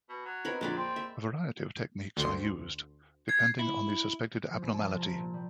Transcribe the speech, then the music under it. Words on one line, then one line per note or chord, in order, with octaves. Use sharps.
A variety of techniques are used, depending on the suspected abnormality.
B2
F#3
B3 C4 A#4 C#5 D#5 B5
F2 A#2 D3 F#3 G#3 D5 B5
A#3 C4
E5
D2 C6
G#6 C7
E4
F3
C2
A5
F4
A#5
A#2
G3